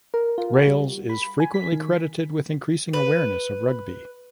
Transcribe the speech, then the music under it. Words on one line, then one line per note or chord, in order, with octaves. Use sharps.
Rails is frequently credited with increasing awareness of Ruby.
A#4
F4
F#4
G3
B5
G#5
B6
D#3
B4